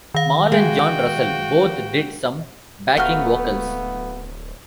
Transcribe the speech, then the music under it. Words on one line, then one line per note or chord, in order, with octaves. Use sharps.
Mal and John Russell both did some backing vocals.
D#3 F5
G#3 F#4 G5
D1 A3 B3 F#4 F5 A#5 F6